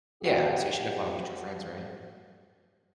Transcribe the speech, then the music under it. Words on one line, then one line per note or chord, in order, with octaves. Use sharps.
Yeah. So you should have a lot of mutual friends, right?
F2 F#4 G4 F#5